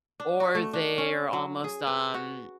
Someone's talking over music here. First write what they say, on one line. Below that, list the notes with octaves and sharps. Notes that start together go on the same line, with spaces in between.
or they are almost, um
D4
F#4
A3
D4
C#4
F#3
G#4
B4
F#4